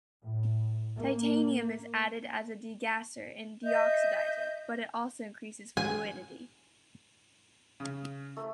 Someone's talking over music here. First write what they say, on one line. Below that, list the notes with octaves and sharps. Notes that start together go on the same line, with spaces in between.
Titanium is added as a degasser and deoxidizer, but it also increases fluidity.
A2
A#3
D#5 E5 G6
G#5
C#3
A3